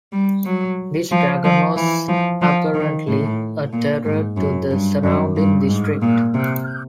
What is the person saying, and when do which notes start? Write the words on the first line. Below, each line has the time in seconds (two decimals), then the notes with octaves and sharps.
This dragon was apparently a terror to the surrounding district.
0.12 G3
0.45 F#3
1.11 F3
1.44 F3
1.76 E3
2.08 F3
2.41 F3
2.74 D#3
3.07 A2
3.73 A#2
4.05 G#2
4.37 F#2
4.71 G2
5.03 F#2
5.36 G2
5.68 G#2
6.02 A#2
6.34 C3